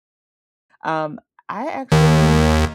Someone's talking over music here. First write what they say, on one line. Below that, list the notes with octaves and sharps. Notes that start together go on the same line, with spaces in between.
um, I actually
D#2